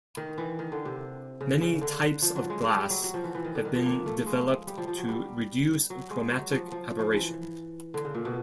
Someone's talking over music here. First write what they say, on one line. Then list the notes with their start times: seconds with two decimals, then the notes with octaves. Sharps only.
Many types of glass have been developed to reduce chromatic aberration.
0.17 D#3
0.38 E3
0.59 D#3
0.72 D3
0.85 C3
1.41 C#3
1.61 C#3
1.81 D3
2.22 F3
2.35 F#3
2.50 G#3
2.63 G#3
2.76 G3
2.90 F#3
3.03 F#3
3.14 F3
3.24 E3
3.35 E3
3.45 D#3
3.55 D3
3.65 D#3
3.76 F3
3.86 A#3
4.06 A3
4.26 G#3
4.67 G3
4.78 F3
4.88 F3
4.98 F#3
5.08 G3
5.90 F#3
6.10 G#3
6.31 F#3
6.52 F3
6.72 F3
6.99 F3
7.13 E3
7.94 D3
8.05 C#3
8.15 A#2
8.25 B2